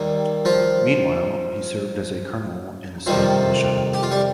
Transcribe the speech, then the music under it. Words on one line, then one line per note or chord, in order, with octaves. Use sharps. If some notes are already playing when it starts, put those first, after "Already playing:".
Meanwhile, he served as a colonel in the state militia.
Already playing: D#2 D#3 G3 A#3
F3 F4
F2 C3 D#3 F3 G3 F4
G4
F4
G3 G4